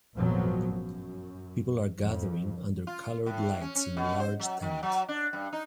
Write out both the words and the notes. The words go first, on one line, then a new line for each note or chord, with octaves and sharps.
People are gathering under colored lights in a large tent.
G#1 F2 A#2 F3 F#3 B3
F#2
F2
F4
A2
C#4
C#4
B2
C5
F#3
D#3
F#3
D4
G2
D#4